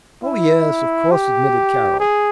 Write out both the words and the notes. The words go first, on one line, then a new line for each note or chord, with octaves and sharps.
"Oh, yes, of course!" admitted Carroll.
E4
G4
G#4